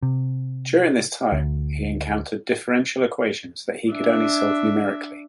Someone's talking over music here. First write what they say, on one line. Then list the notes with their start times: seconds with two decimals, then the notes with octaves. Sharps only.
During this time, he encountered differential equations that he could only solve numerically.
0.02 C3
1.32 D2
3.92 D4 E5